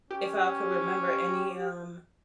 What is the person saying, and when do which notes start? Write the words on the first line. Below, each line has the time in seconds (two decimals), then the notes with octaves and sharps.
if I could remember any, um,
0.11 C#4 G4